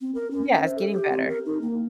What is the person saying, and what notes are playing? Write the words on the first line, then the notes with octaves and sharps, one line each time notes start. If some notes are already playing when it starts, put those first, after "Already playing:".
yeah, it's getting better.
C4
A#4
C#4
E5
C5
A4
G4
C4
A#4
D#4
A#3